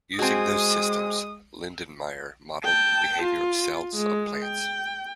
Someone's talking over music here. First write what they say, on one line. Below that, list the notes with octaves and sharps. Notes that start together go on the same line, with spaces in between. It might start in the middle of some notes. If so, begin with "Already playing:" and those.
Using those systems Lindenmayer modelled the behaviour of cells of plants.
G#3 C4 F#4 G#4 G#5 D#6
G5 A5
F4
G#3
G5